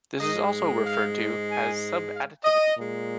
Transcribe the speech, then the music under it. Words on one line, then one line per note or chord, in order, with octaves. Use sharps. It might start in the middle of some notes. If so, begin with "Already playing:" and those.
This is also referred to as subadditivity.
G#2 G#3 D#5
F5
G#5
F5
D#5
A#2 G#3